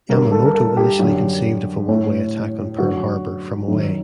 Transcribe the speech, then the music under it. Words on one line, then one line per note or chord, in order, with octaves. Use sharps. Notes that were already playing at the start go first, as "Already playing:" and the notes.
Yamamoto initially conceived of a one-way attack on Pearl Harbor from away.
G2 D3 A#4
A4
A#4
A4
G4
F#2 D3
A2
F#2 D3 F#4
F#2 D#3 D#4